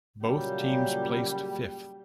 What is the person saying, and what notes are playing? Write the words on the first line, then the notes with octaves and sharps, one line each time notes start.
Both teams placed fifth.
A#2 C#3 F#3 G3